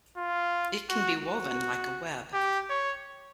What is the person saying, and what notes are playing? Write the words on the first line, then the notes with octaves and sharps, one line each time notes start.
It can be woven like a web.
F4
F#4
F#4
G4
C#5